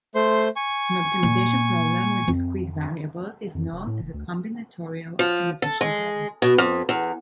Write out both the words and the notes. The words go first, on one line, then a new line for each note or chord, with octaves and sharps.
An optimization problem with discrete variables is known as a combinatorial optimization problem.
A3 C5 C6
G#5 C#6
A#2
F2 C4
F2
F1
A2
F1
D2
F3
A4
G#3
B2
F2
E2